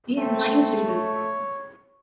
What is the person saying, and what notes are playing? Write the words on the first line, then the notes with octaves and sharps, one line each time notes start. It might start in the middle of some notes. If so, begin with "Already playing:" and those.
He has nine children.
A3 C4
C#5